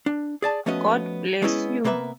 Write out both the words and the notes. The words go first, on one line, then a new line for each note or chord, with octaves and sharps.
God bless you.
D4
G#4 D5 A5
F3 A3 B3 C#4 F#4 D#5
G#3 B3 C#4 E4 D5 D#5
C3 A#3 B3 B4 E5